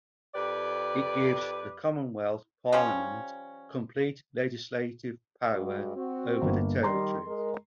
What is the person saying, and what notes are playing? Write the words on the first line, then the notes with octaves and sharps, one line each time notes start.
It gives the Commonwealth Parliament complete legislative power over the territories.
F2 G4 B4 D5
F3 G3 C#4
G2 G#3 F#4
C4 F#4
G1 A#3
D#3 G3 A#5 C6
G#3 A#4